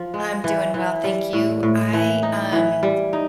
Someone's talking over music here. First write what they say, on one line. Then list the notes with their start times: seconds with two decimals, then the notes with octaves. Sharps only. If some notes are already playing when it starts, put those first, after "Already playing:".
I'm doing well, thank you. I, um,
Already playing: F3
0.14 G#3
0.44 E3
0.74 E3
1.04 G3
1.33 A2
1.63 A2
1.93 E3
2.23 D#4
2.53 E3
2.83 G3
3.13 D#4